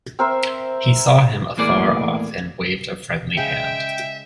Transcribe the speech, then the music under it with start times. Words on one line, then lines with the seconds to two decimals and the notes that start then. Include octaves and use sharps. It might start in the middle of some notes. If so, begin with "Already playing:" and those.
He saw him afar off and waved a friendly hand.
0.19 C4 A#4 C5 E5
1.57 E2 A2 A#3 G#4 D5
3.37 C#3 G#3 E5 G5